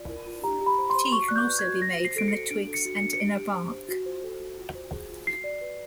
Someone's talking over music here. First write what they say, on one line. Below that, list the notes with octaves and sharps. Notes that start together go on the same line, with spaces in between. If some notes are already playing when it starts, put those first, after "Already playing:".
Tea can also be made from the twigs and inner bark.
Already playing: F4 D5
A#4
F4
G4 A#5
G4
B5
C5
C6
C5
F#4 C#6
D5 F#6
G6
B4
G#6
F#4
F#4 A#6
C5
C7
A4 D7
C#7
F#4
D4 D7
A4
C#7
F#4
C#7
D4
C#7
G4 D7
G4
C5
C5
F#4
C5
A4
F#4
F4
C5
G#4
F4
F#4 C7
D5
B4